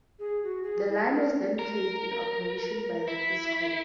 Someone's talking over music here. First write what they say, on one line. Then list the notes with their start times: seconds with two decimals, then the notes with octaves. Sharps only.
The line was then placed in operation by the Frisco.
0.19 G#4
0.44 F#4
0.63 G#4
0.88 E4
1.15 A#4
1.59 A#4
3.08 E4